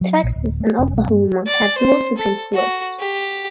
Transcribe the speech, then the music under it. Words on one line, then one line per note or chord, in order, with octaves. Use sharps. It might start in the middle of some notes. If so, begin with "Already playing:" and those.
Texas and Oklahoma have dual supreme courts.
F#3
A#1
D1
A3
F1
B1
G2
D5
C5
A4
F#4
G4